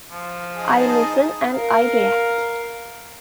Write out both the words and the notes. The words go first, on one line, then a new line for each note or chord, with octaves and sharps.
I listen and I react.
F3
D#4 G#4 D#5 A5
A#4 F5